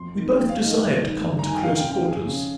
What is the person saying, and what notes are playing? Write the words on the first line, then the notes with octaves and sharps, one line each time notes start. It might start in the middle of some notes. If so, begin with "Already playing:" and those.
We both desired to come to close quarters.
Already playing: F2 C6
C3 D#3
F2 G5
F5
C3 D#3
D#5
G2
D#3
G2
D#3 A#5
G#5
G5
F2 F5
G5
C#3
G5
F2 G#4
C#3